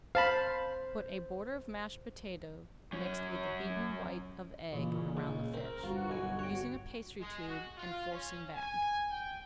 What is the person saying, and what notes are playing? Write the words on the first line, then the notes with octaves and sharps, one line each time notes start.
Put a border of mashed potato mixed with the beaten white of egg around the fish, using a pastry tube and forcing bag.
C5 F5 A5 B5
F#2 C#4
A1 A#2 C#3
C#2
C4 A#4
G1 F4 F#4
B1 G#5
C#5 G5
G#3
F#4
F4
C#4
G#5
G5